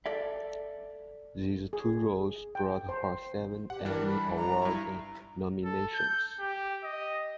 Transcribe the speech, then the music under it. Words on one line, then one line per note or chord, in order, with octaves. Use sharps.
These two roles brought her seven Emmy Award nominations.
A4 D5 E5
G#4
G5
C5
G4 F#5
E3 G3 D4 A#4
B5
A#5
G2 E4
A4
G6
G4
D#5